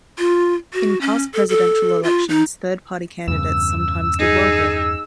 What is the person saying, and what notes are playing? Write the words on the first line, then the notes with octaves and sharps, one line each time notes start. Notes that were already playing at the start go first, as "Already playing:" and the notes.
In past Presidential elections third party candidates sometimes did well here.
F4
F#4
C#4
A4
A4
F4
D#4
E2 G2 C#3 E6
D#4 G#4